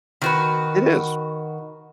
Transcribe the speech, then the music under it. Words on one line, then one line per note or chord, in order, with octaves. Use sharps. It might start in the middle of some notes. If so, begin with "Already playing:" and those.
It is.
D#3 F#4 B4